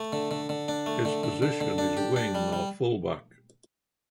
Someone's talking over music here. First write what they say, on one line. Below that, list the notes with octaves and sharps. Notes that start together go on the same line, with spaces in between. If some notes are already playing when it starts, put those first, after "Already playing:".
His position is Wing or Fullback.
Already playing: A3
D3
D3
D3
D4
A3
D3
D3
D3
D3
D4
G4
D4
G3
G3